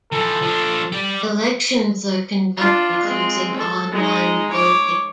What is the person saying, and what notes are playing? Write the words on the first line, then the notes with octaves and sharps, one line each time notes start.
Elections are conducted using online voting.
E3 F3 A4
F3 D4
G4 D5
D4 F4
G#3 C4
A4
G#3 D#4
C#5 D6